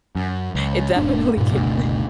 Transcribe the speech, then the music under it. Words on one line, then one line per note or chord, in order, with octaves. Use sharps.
it definitely kicked in.
F#2
C#2
E1 G#2 D4
G2 A#2
F#1 D2 B2